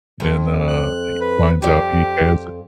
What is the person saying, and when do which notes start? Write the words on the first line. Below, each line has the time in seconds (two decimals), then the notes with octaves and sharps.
And, uh, he finds out he has
0.20 F2
0.68 F#6
1.21 B4
1.62 F2 G4 D5